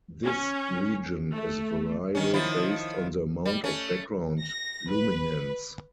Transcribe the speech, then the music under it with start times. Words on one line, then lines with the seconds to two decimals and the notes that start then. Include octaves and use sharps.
This region is variable based on the amount of background luminance.
0.24 C#4
1.32 A3
2.15 D#3 C#4
2.34 D#3 F3 E4
3.45 G3
3.64 A3 C#4
4.40 A#6
4.90 B4